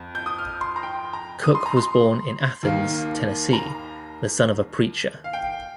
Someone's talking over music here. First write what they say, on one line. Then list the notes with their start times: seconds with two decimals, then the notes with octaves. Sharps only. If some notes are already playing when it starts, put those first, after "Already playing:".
Cook was born in Athens, Tennessee, the son of a preacher.
Already playing: F2
0.15 G6
0.26 D#6
0.38 F6
0.61 C6
0.76 A#5
0.83 G5
1.13 A#5
1.44 D#6
1.55 C6
1.66 A#5
1.77 C6
2.63 D#2 D#3 A#3
3.53 A#5
5.24 F5
5.33 G5